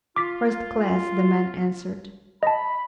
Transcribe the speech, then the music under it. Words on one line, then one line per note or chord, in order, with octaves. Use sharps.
"First-class," the man answered.
F4 D6 B6
D#5 A5 B5